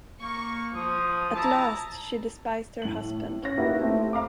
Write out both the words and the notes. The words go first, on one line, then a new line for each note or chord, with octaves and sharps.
At last she despised her husband.
A#3 C#6
F3 D#6
E4 A5 A#5
A2 F#7
C#4 C#5 A#6
A#3 D#4 E4 F#4 G4 B4
A3 C4 E4 G4
E5 F5 A#5 D6